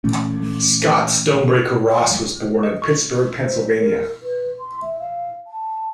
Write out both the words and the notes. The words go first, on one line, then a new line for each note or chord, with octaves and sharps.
Scott Stonebreaker Ross was born in Pittsburgh, Pennsylvania.
A#2 E3 A3 C#4
D#5
C#6
C5
A#4
B4
C6
E5
F5
A5